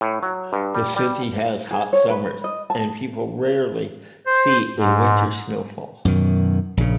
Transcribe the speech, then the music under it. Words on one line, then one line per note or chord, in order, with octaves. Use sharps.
The city has hot summers and people rarely see a winter snowfall.
A2
F#3
G2
G3
G3
G#4
C#5
B4
D#5
A5
C5
G#2
F#2 B2 D#3
A#1 C#3